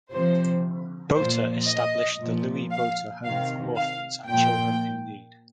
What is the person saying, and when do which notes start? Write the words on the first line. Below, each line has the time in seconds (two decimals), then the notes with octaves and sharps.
Botha established the Louis Botha Home for Orphans and Children in Need.
0.11 C3 F3 C5
1.14 A#2 F3 C5
1.67 D#5
2.19 A#2 F3
2.71 F5
3.24 C3 D#3 F5
3.76 F5
4.28 A#2 F3 G5